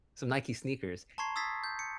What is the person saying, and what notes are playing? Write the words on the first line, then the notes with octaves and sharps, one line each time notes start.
Some Nike sneakers.
A5 A#5 C6 C#6 G#6 C7
D#6 E6 G#6 A6 B6 C7
G6
C#7